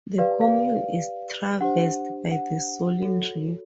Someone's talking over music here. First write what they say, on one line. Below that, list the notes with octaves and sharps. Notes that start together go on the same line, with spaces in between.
The commune is traversed by the Solin River.
G4 B4 D5 F5
F5
D4 G4 C5 F#5
F#5
F#4 A4 C#5